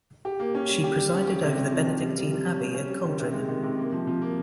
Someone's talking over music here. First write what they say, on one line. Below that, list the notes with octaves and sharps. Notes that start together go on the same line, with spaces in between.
She presided over the Benedictine Abbey at Coldingham.
G4
A#3
C#4
G3
G4
G3
C#4
G4
C3
C#4
F3
C3
G3
G3
G3
C#4
G3
C#4
G3
D#3
C3
G#3
D#3
C3
A#3
F3
F3
A#3